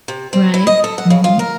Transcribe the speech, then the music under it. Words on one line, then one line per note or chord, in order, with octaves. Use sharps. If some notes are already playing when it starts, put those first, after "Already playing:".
Right. Mhm.
C3
C4
E4
D#5
A4
F#5
C#3
F4
A#4